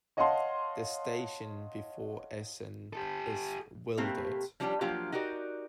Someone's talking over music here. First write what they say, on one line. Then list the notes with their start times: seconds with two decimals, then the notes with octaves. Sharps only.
The station before Essen is Wildert.
0.17 C#5 D#5 F5 F#5 A5 C6
2.93 G4 A4
3.97 B2 A3 A#3 C4 G4
4.60 F3 G3 C#4 D4 F4 G4
4.81 F3 F#3 A#3 D4 F4 G4
5.12 D#4 F#4 G4 A#4 D5